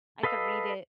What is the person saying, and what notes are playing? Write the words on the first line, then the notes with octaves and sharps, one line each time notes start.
I could read it
A4 B4 D#5 F5 E6